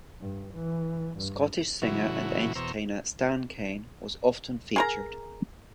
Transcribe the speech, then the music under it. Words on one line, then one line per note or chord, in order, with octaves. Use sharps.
Scottish singer and entertainer Stan Kane was often featured.
G2
E3
G2
A2 C#3 E3 F#3 E4 F#4
E2 B2 C5 A#5 C#6 E6
G#4 A#4 A#5